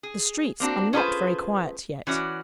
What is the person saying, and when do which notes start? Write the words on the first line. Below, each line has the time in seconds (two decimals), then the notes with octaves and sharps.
The streets are not very quiet yet.'
0.03 G#4
0.60 A#3 C4 D4 F#4
0.93 C#4 F4 G#4 A4 B4 C5
2.07 E3 C#4 F#4 D5